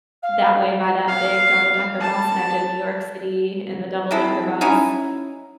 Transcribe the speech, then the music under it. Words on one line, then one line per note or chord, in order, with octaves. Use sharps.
that way by that big double-decker bus, and I've done New York City in the double-decker bus.
F5
F5
A5
G#3 C4 E4 A4
C#4 D#4 E4 G#5